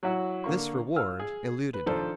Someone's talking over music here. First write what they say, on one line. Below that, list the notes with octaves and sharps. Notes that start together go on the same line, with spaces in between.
This reward eluded him.
F#3 E4 F#4
D3 A#3 C#6
F4 E6 F6
G#4
B4
D#3 F3 D4 A4 C5